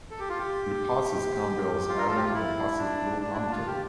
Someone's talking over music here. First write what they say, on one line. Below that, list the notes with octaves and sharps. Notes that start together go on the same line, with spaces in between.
It passes Campbell's Island and passes through Hampton.
A4
G4
F4
G4
F4
A#4
A4
G4
F4
E4
D4
D4
E4
D4
F4
G4